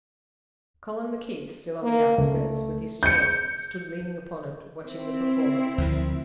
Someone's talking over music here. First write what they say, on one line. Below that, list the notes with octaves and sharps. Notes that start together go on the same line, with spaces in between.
Colin McKeith, still on the outskirts with his chair, stood leaning upon it, watching the performer.
A#3
C#2 A3
G6 C#7
C4 E4
D2 D#3 F3